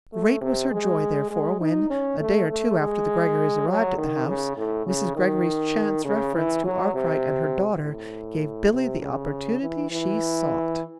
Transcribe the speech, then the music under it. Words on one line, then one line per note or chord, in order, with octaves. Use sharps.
Great was her joy, therefore, when, a day or two after the Greggorys arrived at the house, Mrs. Greggory's chance reference to Arkwright and her daughter gave Billy the opportunity she sought.
A3
C3
G#3
G#3
D#4
C#4
A3
A3
G#3
F#3
D#3
C#3
A2
C#3
D#3
C#3
E3
F#3
C3
A2
C3
C#3
E3
E3